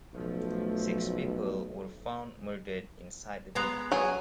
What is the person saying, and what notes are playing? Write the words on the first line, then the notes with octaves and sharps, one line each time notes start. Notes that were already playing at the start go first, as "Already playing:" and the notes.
Six people were found murdered inside the bakery.
B1 F3 A3
G#3 B3 A#5
F#3 G#4